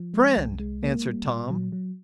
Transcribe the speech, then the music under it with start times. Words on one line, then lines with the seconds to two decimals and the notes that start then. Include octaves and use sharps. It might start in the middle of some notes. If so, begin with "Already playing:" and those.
"Friend," answered Tom.
Already playing: F3
0.14 G#3
0.37 C2
0.59 G#3
0.83 A#3
1.05 G3
1.27 A#2
1.50 F#3
1.72 F#3